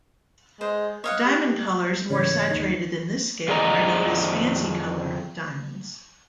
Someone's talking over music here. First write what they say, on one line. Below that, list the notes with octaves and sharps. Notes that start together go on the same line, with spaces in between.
Diamond colors more saturated than this scale are known as "fancy color" diamonds.
G#3 C5
C#5 D#5 F5 F#5
G4
G#2 C#3 E3 C#5
D#2 D#4
F2 G#4 D5 D#5 A#5